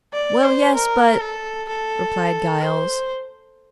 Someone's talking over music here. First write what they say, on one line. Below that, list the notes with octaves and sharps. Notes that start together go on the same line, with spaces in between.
"Well, yes--but--" replied Giles.
D5
C5
A#4
A4
A4
C5